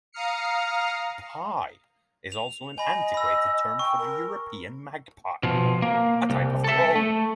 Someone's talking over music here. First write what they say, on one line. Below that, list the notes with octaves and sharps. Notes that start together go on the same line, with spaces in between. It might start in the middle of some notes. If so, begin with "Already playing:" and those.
"Pie" is also an antiquated term for the European magpie, a type of crow.
F5 A#5 D#6 F6 C7 C#7
F7
D#5 G#5 B5
B5 E6
G5 C#6
A#4
B2 F3
A#3
C2
A4 E5
A3